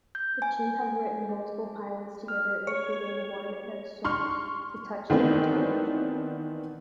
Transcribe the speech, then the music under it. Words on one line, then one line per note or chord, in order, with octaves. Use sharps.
The two have written multiple pilots together including one that sold to Touchstone Television.
G6
G#5
G#4
F6
C#5
C6 C#6 F6
D#3 E3 A3 B3 C4 D4